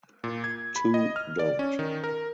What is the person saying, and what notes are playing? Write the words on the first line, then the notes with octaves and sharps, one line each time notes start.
Two don’t.
A#2
G#6
B5
D#5
F6
D5
C#4
D#3
A#4